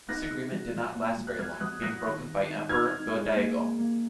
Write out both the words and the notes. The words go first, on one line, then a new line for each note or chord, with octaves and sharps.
This agreement did not last very long, being broken by Emperor Go-Daigo.
D#4 F#6 A#6
C#3
F#3
F#3
A#2
F#3
F#6
F#3 F6 G#6
F#3 D#6 F#6
F#3 F#6 A#6
D#3
D#3
D#4
D#4 F6 G#6
D#4
G#3
A#3
A#3
A#3